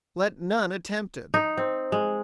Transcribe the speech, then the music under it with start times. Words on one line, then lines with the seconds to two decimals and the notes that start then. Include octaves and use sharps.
Let none attempt it.
1.34 D#4
1.57 C4
1.92 G#3